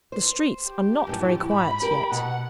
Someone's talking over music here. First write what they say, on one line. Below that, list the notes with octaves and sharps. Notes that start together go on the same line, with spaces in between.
The streets are not very quiet yet.'
C5
G4
F#2 A2 F3
G#2 B5
G4 A#4
B2 F#5